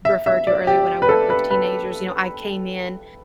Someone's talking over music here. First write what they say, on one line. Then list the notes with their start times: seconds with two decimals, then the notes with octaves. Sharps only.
referred to earlier when I worked with teenagers, you know, I came in
0.05 E5
0.26 E5
0.47 D5
0.67 G4
1.02 B4
1.09 A4
1.30 B4
1.51 B4